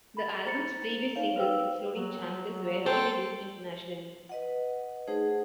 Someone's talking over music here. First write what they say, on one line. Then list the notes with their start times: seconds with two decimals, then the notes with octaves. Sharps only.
The album's previous singles - excluding "Chances" - were re-released internationally.
0.17 B5 A6
0.46 C5 A#5 A6 C#7
1.16 D#4 C#5 F5
1.36 B4 C5 F5 G5 E6
1.94 F#3
2.86 A4 C5 G5 C6
4.29 B4 D#5 F#5
5.08 A3 D#4 G#4 C5 F#5